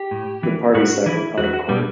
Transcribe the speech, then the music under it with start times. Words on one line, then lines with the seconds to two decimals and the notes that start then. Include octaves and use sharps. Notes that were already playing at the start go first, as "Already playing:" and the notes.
The parties settled out of court.
Already playing: G4
0.11 A2
0.43 E3
0.75 A2 F#4
1.06 E3 E4
1.38 E2 F#4
1.53 F#4
1.69 B2 G3